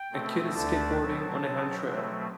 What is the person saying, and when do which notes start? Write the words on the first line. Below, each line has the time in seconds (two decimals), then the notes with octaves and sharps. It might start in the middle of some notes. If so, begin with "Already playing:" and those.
A kid is skateboarding on a handrail.
Already playing: G5
0.12 B2 A3 C4
0.54 D2 D3 A3 D4 A5
0.97 B2 F#3 C4
1.40 B2 F#3 C4
1.85 B2 F#3 A3 C4